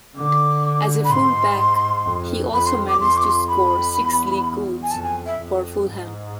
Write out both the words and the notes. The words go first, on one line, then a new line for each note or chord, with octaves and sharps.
As a full back he also managed to score six League goals for Fulham.
D3 D6
B5
G#2 C6
F2
F2 B5
C6
D6
F2 C6
D6
C6
B5
E2
G#5
F2 A5
G#5
E5
F2
G#2